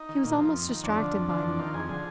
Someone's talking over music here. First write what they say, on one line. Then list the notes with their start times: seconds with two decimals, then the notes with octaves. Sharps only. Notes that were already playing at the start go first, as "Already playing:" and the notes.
He was almost distracted by them now.
Already playing: D#4
0.09 D#3
0.24 A#2
0.38 F3
0.53 F2
0.68 D#3
0.83 F2 D4
0.98 D3 F3
1.14 F2
1.29 D3 F3
1.44 F2 D4
1.59 D#3 F4
1.74 F2 G#4
1.89 D3 F3 G#4